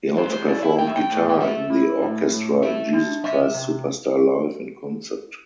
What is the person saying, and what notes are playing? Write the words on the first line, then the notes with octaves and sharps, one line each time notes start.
He also performed guitar in the orchestra in "Jesus Christ Superstar Live in Concert".
A3 C5
C5
E4 D5
E5
A2 G5
E5
G5
A2
G5
A3 E5
E4
A2
A2
A3 E5
D4
C3 E5
C3